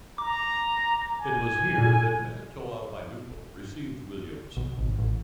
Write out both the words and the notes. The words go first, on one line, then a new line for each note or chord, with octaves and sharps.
It was here that Malietoa Vaiinupo received Williams.
A#5 D6
G#5
A#2
B1
G#1
A1